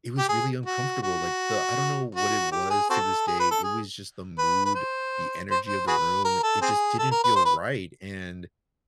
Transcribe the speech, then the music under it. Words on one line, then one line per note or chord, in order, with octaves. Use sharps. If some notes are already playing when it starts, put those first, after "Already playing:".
it was really uncomfortable. Like, the I don't know what it was to this day. It was just the mood, the energy of the room. It just didn't feel right. And,
G4
G#4
F#4
F#4
F#4
G4
G#4
C4 F#4 A4
G#4
B4
A4
G#4
B4
B4
C5
C5
C5
F#4 G#4 B4
A#4
A4
C4 G#4
A4
A#4
B4
C5
B4